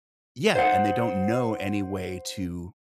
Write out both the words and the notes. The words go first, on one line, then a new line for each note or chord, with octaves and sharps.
Yeah, and they don't know any way to
C5 F#5